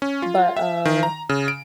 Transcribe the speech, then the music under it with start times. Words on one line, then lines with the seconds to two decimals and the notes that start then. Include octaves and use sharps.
but, uh,
0.02 C#4
0.22 F4
0.57 E5
0.85 D#3
1.03 A#5
1.29 C#3
1.48 D7